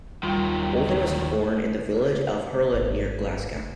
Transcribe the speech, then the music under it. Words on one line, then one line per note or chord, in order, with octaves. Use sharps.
Holden was born in the village of Hurlet near Glasgow.
D#2 D#3 F#3 G3 F4 G5
G#1